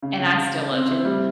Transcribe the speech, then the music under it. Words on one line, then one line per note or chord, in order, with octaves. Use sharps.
and I still loved him,
C#3
C#3
C#3
C#3
C4
E4
G3